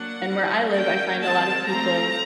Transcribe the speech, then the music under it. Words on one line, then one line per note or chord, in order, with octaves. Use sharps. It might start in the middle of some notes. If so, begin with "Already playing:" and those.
and where I live, I find a lot of people
Already playing: F#3 A#3 D4 F#5
G3 C4
F#3 A#3 C#4 G5
D#3 G#3 C4 A5
F3 A3 C4 A#5